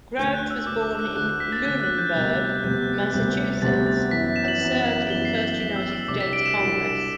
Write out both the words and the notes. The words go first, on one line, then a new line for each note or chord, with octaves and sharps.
Grout was born in Lunenburg, Massachusetts and served in the First United States Congress.
D2 D3 A3 G6
F#6
E6
D2 D3 A3 D6
D6
F#6
D2 D3 A3 F#6
B6
A6
D2 D3 A3 F#6
F#6
G6
D2 C3 G3 B3 F#6
F#6
D2 C3 G3 B3 G6
D2 C3 G3 B3
D2 C3 G3 B3 A6
A6
F#2 E3 B3 B6
E7
F#7
F#2 E3 B3 F#7
F#7
F#2 E3 B3 G7
C7
B6
F#2 E3 B3
E6
E6
C2 C3 G3 D4 F#4 D6
B6
D7
E7
C2 C3 G3 D4 F#4